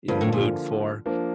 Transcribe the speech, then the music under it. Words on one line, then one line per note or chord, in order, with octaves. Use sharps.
in the mood for.
G2 D3 F3 A#3 F4
A2
A#2
F3 A#3 D4